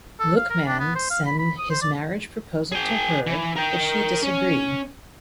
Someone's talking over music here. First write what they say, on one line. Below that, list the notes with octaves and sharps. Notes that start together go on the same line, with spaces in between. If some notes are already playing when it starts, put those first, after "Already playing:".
Luqman send his marriage proposal to her but she disagreed.
A4
F5
A#4
D4
B3
C5
F5
B5
B5
D#6
C5
D5
G#4 G5
E3
A#4 G5
C#4